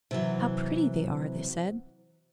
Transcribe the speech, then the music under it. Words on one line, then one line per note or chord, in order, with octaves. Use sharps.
"How pretty they are!" they said.
C3 E3 F#3